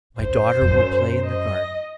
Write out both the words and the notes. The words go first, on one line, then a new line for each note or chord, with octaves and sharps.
My daughter will play in the garden.
F#2 C5
F2
F#2
D#5